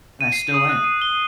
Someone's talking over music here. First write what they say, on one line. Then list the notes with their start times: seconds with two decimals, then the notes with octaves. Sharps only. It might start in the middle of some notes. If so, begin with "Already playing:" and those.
and I still am.
0.21 D#7
0.33 C7
0.54 D#6
0.69 F#6
0.84 D#7
1.02 G7